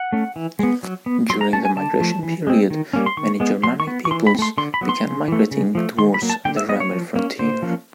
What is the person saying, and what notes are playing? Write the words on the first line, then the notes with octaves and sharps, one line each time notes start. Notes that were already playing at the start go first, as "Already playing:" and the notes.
During the Migration Period, many Germanic peoples began migrating towards the Roman frontier.
Already playing: F#5
A3 C#4
E3
G#3 B3
F#3
B3
F#3 C6
A#5
A3 C#4 A5
G#5
D3 A5
F3 A3
E3
G#3 C4
D#3
G3 A#3 C#4
C6
D#3 C#6
G#3 B3
F#3 C6
C#6
B3
C#6
E3 C6
B5
C4
A3 C6
D3 C6
B5
F#3 B3
C6
C#3
E3 A3
C#3
F3 A3
D#3 C6
B5
F#3 A#3
A5
D3 G5
E5
F#3 B3 D#5
C#5
F3
A#3 C#4
D3 C5
F3 A#3 C#4